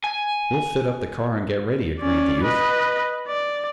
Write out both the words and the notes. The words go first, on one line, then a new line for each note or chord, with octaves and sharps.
"We'll fit up the car and get ready," agreed the 'youth.
G#5
C#4 D5
B4 D#5
D5